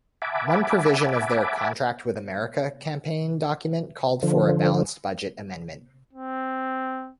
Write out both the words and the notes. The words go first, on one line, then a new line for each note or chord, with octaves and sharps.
One provision of their "Contract with America" campaign document called for a balanced-budget amendment.
E5 F#5 G#5 A5 B5 D6
D3 F3
C4